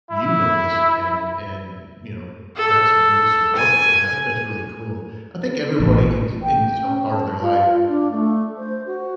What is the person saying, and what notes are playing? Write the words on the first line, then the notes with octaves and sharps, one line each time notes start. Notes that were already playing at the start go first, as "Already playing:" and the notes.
you noticed, and and, you know, that's the most important thing, I think that's really cool. I think everybody in in some part of their life,
E4
A4
G#5
A1
G5
C#4
A5
F4
D4
A3
C5
F#4